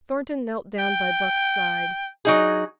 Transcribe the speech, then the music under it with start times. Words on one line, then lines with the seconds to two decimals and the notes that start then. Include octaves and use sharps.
Thornton knelt down by Buck's side.
0.79 G5
2.25 F#3 D#4 G#4